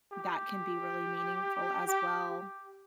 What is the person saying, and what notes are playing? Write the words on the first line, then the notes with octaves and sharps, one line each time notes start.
that can be really meaningful as well.
G4
G4
G4